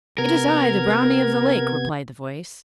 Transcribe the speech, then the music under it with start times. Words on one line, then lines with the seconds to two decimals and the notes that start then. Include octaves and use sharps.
'It is I, the brownie of the lake,' replied the voice.
0.18 C3 B3 A#4 G#6